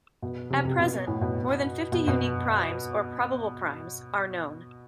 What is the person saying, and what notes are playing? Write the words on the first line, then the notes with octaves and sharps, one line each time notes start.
At present, more than fifty unique primes or probable primes are known.
B2
C3
C3
B2
A2
B2
B2
B2